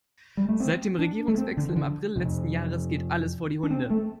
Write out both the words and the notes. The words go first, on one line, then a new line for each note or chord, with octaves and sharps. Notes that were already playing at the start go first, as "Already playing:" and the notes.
Seit dem Regierungswechsel im April letzten Jahres geht alles vor die Hunde.
G3
A3
C4
D4
A3
C4
D3
F3
D3
F2 C3
D4
C4
A3